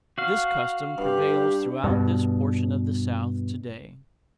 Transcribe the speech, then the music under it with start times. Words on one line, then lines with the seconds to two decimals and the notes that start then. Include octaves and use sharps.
This custom prevails throughout this portion of the South to-day.
0.18 F#4 F5
0.98 G2 G4
1.84 G2 B2